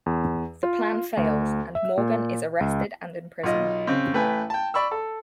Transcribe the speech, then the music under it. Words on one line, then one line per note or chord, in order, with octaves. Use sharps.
The plan fails, and Morgan is arrested and imprisoned.
E2
F4
D2
E5
A#2
C#2
B1 F4 D#5
C#3 C4
A1 A3 B4 G5 G#5
G5 A5
D5 B5 C#6 E6
A4